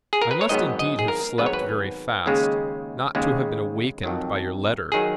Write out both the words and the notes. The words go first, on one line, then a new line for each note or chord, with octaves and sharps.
'I must indeed have slept very fast, not to have been awakened by your letter.
G#4
A#4
B4
C#5
G#1 G#2 F#3 B3 D#5
D#5
G#4
A#4
G#1 G#2 F#3 B3 B4
C#5
B4
D#2 C#3 G#3
D#2 C#3 G#3
F2 D#3 F#3
D#3 F#3 G#4